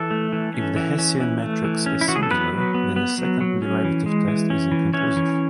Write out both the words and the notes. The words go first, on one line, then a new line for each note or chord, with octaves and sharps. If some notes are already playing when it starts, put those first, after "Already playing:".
If the Hessian matrix is singular, then the second derivative test is inconclusive.
Already playing: E3 A4
A3
E3
C#4
E3
C#4
E3
A3
E3
C#4
E4
E3 F#4
G#4
A4
F#3 B3 B4
F#3
B3
B3
F#3
F#3
C#4
E3
G#3
E3
C#4
E3
E3 C#4 C#5
E3